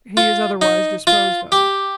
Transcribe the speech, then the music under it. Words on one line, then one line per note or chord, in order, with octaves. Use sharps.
He is otherwise disposed of.'
F4
D#4
F4
G4